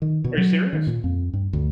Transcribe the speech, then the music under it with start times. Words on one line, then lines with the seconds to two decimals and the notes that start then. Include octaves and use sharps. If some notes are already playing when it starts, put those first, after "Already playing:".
Are you serious?
0.02 D#3
0.24 B2
0.37 F#3
0.73 D#3
0.87 A#2
1.04 F2
1.33 G2
1.53 D2